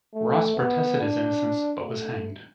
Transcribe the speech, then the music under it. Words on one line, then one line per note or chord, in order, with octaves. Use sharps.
Ross protested his innocence but was hanged.
A3
B3
D4
A3